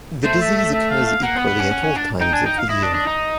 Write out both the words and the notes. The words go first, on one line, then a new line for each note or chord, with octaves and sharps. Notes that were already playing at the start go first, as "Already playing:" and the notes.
The disease occurs equally at all times of the year.
A3 C5
E5
E5
E5
F5
F5
A#3 F#5
B3
B3
C#4
C#4
C#4
D4
D#4 G5
D4 G#5
D#4 G5
F5
E4 D#5
D4
D4
D#4